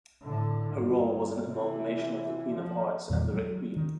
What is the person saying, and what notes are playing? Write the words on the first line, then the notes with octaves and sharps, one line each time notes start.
Her role was an amalgamation of The Queen of Hearts and The Red Queen.
A2 D3
G2
C3 E3
F3
E2 A#2 D#3 G3
F#3 G#3
D#3